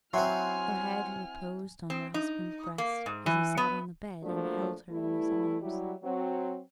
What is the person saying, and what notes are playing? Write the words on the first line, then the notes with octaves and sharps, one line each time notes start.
Her head reposed on her husband's breast as he sat on the bed and held her in his arms.
F#3 C4 E4 F#5 G#5 C6 F6
C4
D#4
A#3
G#2
E3
B3
F3 F#3 A3 A#3 D4
E3 G3 A3 E4
F#3 G3 E4
F#3 C4